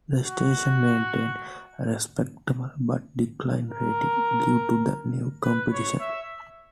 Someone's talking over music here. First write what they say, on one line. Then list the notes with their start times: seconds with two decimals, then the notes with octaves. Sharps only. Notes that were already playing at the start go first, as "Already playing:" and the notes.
The station maintained respectable but declining ratings, due to the new competition.
0.25 F#4
3.70 A#4
5.43 B4
5.72 C#5
6.00 E5